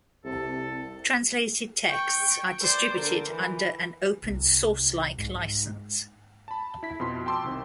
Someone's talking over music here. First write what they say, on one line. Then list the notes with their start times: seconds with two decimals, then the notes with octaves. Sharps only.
Translated texts are distributed under an open source-like licence.
0.25 C2 C3 A4
1.86 G5 C#6
2.61 C5 D5
2.97 D3 A#4
3.29 E3
4.24 C2
5.18 G#2
6.48 A5 B5
6.83 E4 B6
7.00 F2 B2 C6
7.26 G5 A5 C6 D6 E6
7.44 C2 D#3 C4